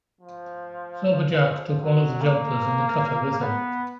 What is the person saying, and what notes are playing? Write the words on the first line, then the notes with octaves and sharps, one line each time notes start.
Silver Jack took one of the jumpers in the cutter with him.
F3
F#3
A#3
B3